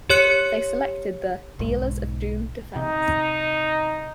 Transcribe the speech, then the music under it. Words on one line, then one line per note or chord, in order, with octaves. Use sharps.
They selected the "Dealers of Doom Defense".
G4 C#5 F#6 C#7
B1 G#2
C3 D#4